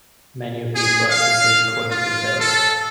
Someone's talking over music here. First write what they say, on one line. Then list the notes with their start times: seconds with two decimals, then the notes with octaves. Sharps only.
Many of these works include coins and bills.
0.74 G#4
1.10 F5
1.90 F4
2.40 A4